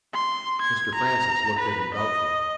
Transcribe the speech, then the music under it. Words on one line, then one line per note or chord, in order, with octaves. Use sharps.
Mr. Francis looked at him doubtfully.
C6
G#6
A#5
B4
D#5